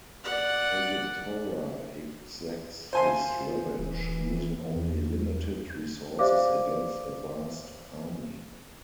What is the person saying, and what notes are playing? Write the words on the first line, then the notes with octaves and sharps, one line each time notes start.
Kagetora exacts his revenge, using only limited resources against a vast army.
D5 F#5
F4 C5 G#5 C6
D#1 E3
E2
G4 C5 D5 E5 F5 D6